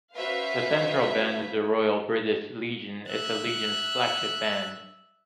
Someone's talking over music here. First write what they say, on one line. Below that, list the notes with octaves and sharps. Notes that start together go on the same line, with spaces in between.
The Central Band of the Royal British Legion is the Legion's flagship band.
C#4 F#4 B4 C5 E5 F5
E5 F#6